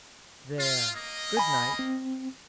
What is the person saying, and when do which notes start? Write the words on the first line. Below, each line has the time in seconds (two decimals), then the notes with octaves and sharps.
There, good-night.
0.60 F4
0.96 A#3 D#5
1.37 G#5 B5
1.79 C4